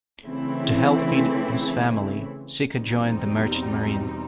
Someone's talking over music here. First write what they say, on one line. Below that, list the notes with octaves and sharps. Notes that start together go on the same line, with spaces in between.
To help feed his family, Sika joined the Merchant Marine.
C#3 E3 A3 C4 E4
E2 B2 G3 C4 D#4